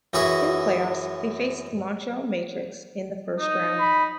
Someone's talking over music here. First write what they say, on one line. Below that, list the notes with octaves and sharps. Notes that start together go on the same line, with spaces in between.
In the playoffs, they faced the Montreal Matrix in the first round.
F#2 E3 F#4 G#4 E5 C#6
D#4
B5